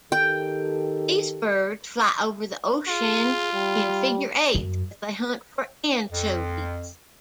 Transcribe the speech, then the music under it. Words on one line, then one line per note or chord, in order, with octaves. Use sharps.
These birds fly over the ocean in figure eights as they hunt for anchovies.
D#3 G4 A4 G5
F4 G#4
G3
F#2
F2